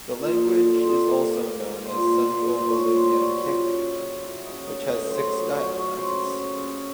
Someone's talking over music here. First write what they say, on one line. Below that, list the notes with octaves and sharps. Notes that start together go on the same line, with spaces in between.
The language is also known as Central Bolivian Quechua, which has six dialects.
A#4
A#2
G#4
A#2 A#4
A4
G3 F4
G#4
A4
A#3
A#4
A#3
B4
A#3 A#4
B4
C5
A#2
C5
A#2
B4
A#2 C5
C#5
A#2
C5
G3
F#4
F#3 F4
C#3
C#3
F#3 E4
D#4
C#3
D#4
A3
G#4
F#3 C5
F#3
C#5
F#3
C#5
C#3 C5
C#5
C#3
C#5
C#3